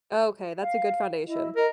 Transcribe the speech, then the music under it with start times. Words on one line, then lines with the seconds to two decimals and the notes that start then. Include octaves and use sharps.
Okay, that's a good foundation.
0.61 F5
1.27 E4 D#5
1.56 A#4 D#5 A#5